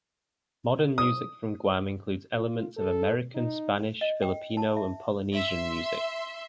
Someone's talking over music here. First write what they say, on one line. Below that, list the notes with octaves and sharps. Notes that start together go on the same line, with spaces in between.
Modern music from Guam includes elements of American, Spanish, Filipino and Polynesian music.
D#6
F4
A4
D#4
D#5
G5
A5
E5
E5 C6